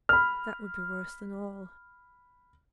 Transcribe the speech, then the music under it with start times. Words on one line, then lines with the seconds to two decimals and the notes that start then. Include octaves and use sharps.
That would be worse than all.
0.09 B5 F6